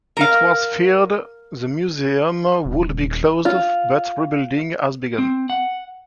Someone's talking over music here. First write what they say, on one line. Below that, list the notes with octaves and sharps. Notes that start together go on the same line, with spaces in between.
It was feared the museum would be closed but rebuilding has begun.
A#4 F5
D#1
F4
C4
F#5